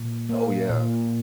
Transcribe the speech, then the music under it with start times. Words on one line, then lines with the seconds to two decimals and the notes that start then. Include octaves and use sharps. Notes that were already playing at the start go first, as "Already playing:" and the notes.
Oh, yeah.
Already playing: A#2
0.29 A#3
0.69 A#2